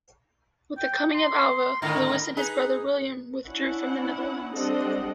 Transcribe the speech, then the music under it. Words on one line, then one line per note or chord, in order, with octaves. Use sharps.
With the coming of Alva, Louis and his brother William withdrew from the Netherlands.
G5
C6
G#2 D3 D#3 A#4
D#4 G#4 B4
C#4 D4 E4 F#5
G3 C4 D4 A4 D#5 F#5